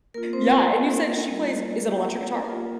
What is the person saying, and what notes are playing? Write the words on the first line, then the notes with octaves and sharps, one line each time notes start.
Yeah, and you said she plays is it electric guitar?
A#3 F4 A#4
C4 C5
A#4
A#3 F4
G3 A#3 F4
A#3 F4 G4
A#3 F4 A#4